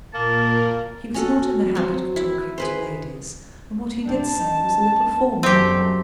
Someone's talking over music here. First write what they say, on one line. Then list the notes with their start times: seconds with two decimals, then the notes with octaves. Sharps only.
He was not in the habit of talking to ladies; and what he did say was a little formal.
0.14 A#2 A#3 A#4 A5
1.14 C#4 F#4 A4
1.75 F#3 C4
2.16 E4
2.58 G#4 B4 C5
4.05 C3 C4 D4 A5
4.36 C#4 D#4
5.43 C2 F#2 B2 F#3 A3 C4 G4